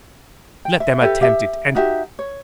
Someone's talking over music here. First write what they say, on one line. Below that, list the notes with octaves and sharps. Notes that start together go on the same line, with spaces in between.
"Let them attempt it, and...."
G5
E5
G4 A4 B4 E5
G4 E5
D#4 F#4 G4 E5
C#5